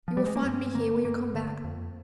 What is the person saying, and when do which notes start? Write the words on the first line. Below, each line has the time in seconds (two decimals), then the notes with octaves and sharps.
"You will find me here when you come back."
0.08 F3
0.17 G3
0.27 G#3
0.36 A#3
0.45 G2 C4
0.75 D3 A#3
1.04 G2 A#3
1.34 D3
1.64 F2